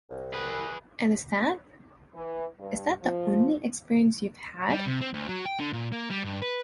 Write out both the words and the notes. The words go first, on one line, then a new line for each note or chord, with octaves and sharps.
And is that, is that the only experience you've had?
C2
G#4 B4
E3
G2
F3
G3
C3
C4
D2
F#3
G5
D3
A#2
A#3
G3
G2
B4